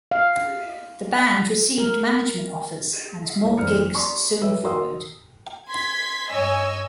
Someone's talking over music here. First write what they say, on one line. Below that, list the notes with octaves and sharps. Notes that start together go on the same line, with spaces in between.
The band received management offers and more gigs soon followed.
F5
A#4
C2 C#5
F#1 E2 C5 D5 F6 C#7
D5 A#5 C6 C#6 D#6
G4 A4 B4 C#5 E5 E6
F#4 A#4 C6 D#6 E6
C6 G#6 B6
G2 C#5 D#5 G#5 E6